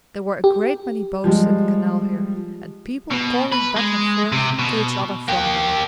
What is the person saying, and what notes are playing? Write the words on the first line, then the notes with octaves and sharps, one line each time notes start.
There were a great many boats in the canal here, and people calling back and forth to each other from them.
G4
F3 G3 G#3
B2
B4
G#3
C3
B2
A#3 G4